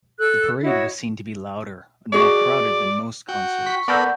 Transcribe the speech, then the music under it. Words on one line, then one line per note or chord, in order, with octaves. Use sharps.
The parade was seen to be louder and more crowded than most concerts.
A4 E6 F#6
E4 F#4 C#5 D#5
F#4 G#4 D5 D#5
F#4 G5
C#6 B6
B3 A4 A#4 D5 F#5 A5 B5 G6